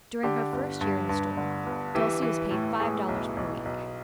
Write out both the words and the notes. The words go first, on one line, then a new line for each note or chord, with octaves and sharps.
During her first year in the store, Dulcie was paid five dollars per week.
D3 G4
G1
G2
G2
D3
G1
E3 G4
E3
A2
A2 G#4
B1
B1
B1